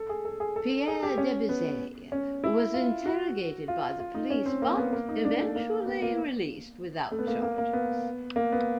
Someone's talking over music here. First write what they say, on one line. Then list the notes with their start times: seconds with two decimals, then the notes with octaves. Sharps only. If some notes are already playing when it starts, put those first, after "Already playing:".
Pierre Debizet was interrogated by the police, but eventually released without charges.
Already playing: A4
0.09 G#4
0.25 A4
0.40 G#4
0.56 A4
0.88 G#4
1.03 G4
1.18 C#4
1.49 B3
2.12 C#4
2.44 E4
2.74 F4
3.06 F#4
3.68 F4
4.00 F4
4.14 D#4
4.30 C#4
4.46 C4
4.62 A#3
4.77 B3
4.93 A#3
5.09 D#4
5.25 D4
5.39 A3
5.56 A#3
5.86 B3
6.02 A#3
7.11 A3
7.19 B3
7.27 A#3
7.42 A#3
7.58 A#3
7.73 B3
8.36 A#3
8.52 B3